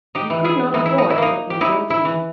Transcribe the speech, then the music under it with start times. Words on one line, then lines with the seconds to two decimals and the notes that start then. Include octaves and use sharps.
He could not avoid looking guilty.
0.15 D#4 G4
0.30 E3
0.44 E4 G#4
0.74 E3 D#4
0.86 E4
0.98 D#4
1.10 E4
1.18 A#3 D#4
1.50 G4
1.61 D#4 E4
1.90 E4
2.05 E3